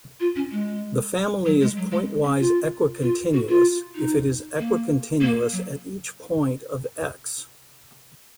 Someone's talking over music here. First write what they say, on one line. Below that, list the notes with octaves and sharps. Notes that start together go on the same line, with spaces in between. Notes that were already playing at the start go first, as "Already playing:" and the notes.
The family is pointwise equicontinuous if it is equicontinuous at each point of "X".
F4
C#4
G#3
F#3
G#3
F#3
G#3
C#4
F4
F4
F#4
F4
D#4
A#3
A#3
F#3